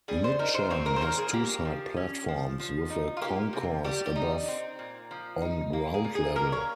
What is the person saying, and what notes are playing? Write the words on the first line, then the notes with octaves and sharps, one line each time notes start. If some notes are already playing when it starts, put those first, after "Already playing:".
Mitcham has two side platforms with a concourse above on ground level.
G3 G#4
C5
D#4 A#4
C5
C4 C#5
A#4
C5
A#2 A#4
G#4
A#3 G4
F3
C#4
F3
F3
D#4
F4
A#3 G4
C3
G3 G4
G4
D#4
C4
A#2
F3
D#4
A#3
G#4
A#2
G#4
A#3 A#4
C#5